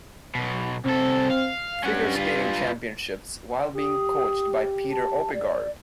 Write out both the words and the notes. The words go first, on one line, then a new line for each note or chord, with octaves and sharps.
Figure Skating Championships while being coached by Peter Oppegard.
B1 B2
C2 C4 A4
F5
G2 C#4 F#5
F4 B4
G4 D#6
A5
D5